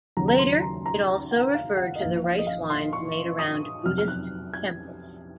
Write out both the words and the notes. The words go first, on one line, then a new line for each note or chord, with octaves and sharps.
Later, it also referred to the rice wines made around Buddhist temples.
D#2 C#3 F#3 A#5
A#5
C6
A#5
A#5
F#5
F5
F#5
D#5
A#1 A#2 F3 F5
F5
D#5
F5
C6
C#6
D#6
F2 C3 F#3 F6
F6
F#6
G#6